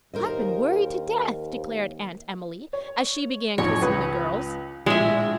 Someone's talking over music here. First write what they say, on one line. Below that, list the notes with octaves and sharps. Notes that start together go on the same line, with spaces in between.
"I've been worried to death," declared Aunt Emily, as she began kissing the girls.
D#2 A#4 C5 D#5
C#5
A1 F2 G#2 C#5
C#2 B4 D#6
A#1 A2 G#3 E5